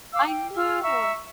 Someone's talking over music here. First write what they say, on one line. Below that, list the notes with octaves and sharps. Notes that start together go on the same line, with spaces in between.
I know.
F5 D6 E6
G5
F4 E6 F6
E5 A#5 C#6 E6